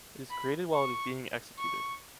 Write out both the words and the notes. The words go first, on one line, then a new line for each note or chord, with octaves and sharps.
It is created while it is being executed.
B5
C#6
C#6